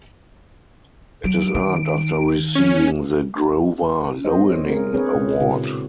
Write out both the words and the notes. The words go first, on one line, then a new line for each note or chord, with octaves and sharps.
It is earned after receiving the Grover Loening Award.
F#3 D7
D#3
C#4
B3 C4 G4 A#4 C5 D#5
E4 C#5
A#3 C4 G#4 A#4
C4 D4 G#4 B4 C#5
B2 G#3 A4
A#2 C#3 C4 E4 F#4